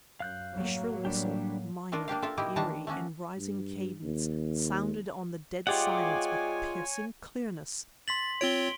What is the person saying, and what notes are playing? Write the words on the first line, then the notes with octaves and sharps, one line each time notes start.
A shrill whistle--minor, eerie, in rising cadence--sounded on the dead silence with piercing clearness!
F#2 F5 F#6 G6
A2 F#3 A#3
G3 D4 G4
A3 D4 F4 A#4
A#3 D4 G4 F5
F4 A4 A#4 E5
A#2 A#3 D#4 E4 G4 A#4
D#3 E3 A3 D4 A5 A#5
A3 A#3 C#4 F#4
G2
D#2
G#3 F4 G4 C#5 D5 F#5 G#5
C6 A6 B6 F#7
C4 F4 C#5 D7 G7